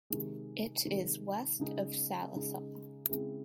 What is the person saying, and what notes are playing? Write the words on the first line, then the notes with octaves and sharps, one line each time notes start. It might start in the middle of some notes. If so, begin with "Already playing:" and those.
It is west of Sallisaw.
C3 D#3 G#3
C3 D#3 G#3
C#3 G#3 D#4 G#4
C#3 G#3 D#4 G#4
C#3 G#3 C4 E4 G#4